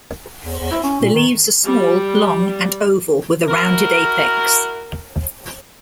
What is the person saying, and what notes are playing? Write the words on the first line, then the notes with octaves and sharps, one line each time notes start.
The leaves are small, long, and oval with a rounded apex.
E2
E2
E4
C#4
A#2
D#3
G3
E4 F#4 A#4